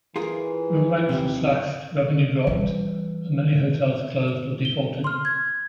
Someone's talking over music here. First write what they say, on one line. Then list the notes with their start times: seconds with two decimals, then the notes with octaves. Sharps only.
Room rates were slashed, revenue dropped, and many hotels closed or defaulted.
0.16 E3 F4 G#4 A#4
1.09 D#2 C3
2.47 E3 G3
4.65 G7
5.04 C6 F6
5.25 G#6